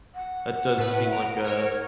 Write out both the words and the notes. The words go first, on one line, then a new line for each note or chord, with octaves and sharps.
that does seem like a
F#5
A2 B4
A#5 D7
A#4 C#5